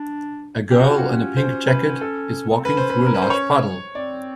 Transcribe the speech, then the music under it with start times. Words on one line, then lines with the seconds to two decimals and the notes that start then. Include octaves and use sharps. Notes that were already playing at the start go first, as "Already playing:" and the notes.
A girl in a pink jacket is walking through a large puddle.
Already playing: D4
0.71 C#4 G4
0.79 F#4
0.89 F4
0.98 F#4
1.36 C5
1.68 B4
2.01 A4
2.49 B3
2.58 C4
2.65 C#4 B4
2.77 C5
2.90 B4
3.06 A#4
3.14 B4
3.22 C5
3.30 C#5
3.95 C4 D5